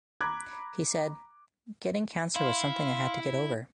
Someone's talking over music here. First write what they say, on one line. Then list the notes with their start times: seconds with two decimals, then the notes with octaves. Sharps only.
He said: Getting cancer was something I had to get over.
0.21 A#5 B5 D6 F#6 G#6
2.36 E4 F5 C6